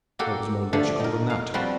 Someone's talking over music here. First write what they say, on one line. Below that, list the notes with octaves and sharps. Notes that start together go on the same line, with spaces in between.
What was more logical than that?
A#3 F#4 G4 A4
D3 F3 A3 D4
D#4 A#4
F5
F3 G3 C4 F#4 B4